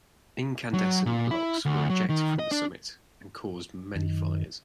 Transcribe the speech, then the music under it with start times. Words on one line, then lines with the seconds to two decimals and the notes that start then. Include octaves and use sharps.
Incandescent blocks were ejected from the summit and caused many fires.
0.74 F#3
1.06 A#2
1.31 E4
1.65 D2
1.90 F#3
2.09 D#3
2.39 D#5
2.52 D4
3.96 F#2 D#3